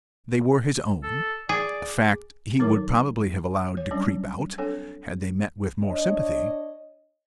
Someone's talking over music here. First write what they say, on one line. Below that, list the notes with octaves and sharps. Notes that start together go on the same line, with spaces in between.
They were his own, a fact he would probably have allowed to creep out, had they met with more sympathy.
A4
G#4 D5
D#3 F#3 D#4 A#4 C#5 D6
C#5
F#3 G3 C#4 D4
C4 D4 A4 C#5 G#5
D4 C#5 D#5